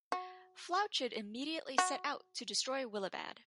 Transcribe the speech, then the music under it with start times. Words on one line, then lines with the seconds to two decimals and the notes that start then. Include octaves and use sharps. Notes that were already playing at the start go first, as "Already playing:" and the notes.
Flaochad immediately set out to destroy Willibad.
0.12 F#4
1.78 F#4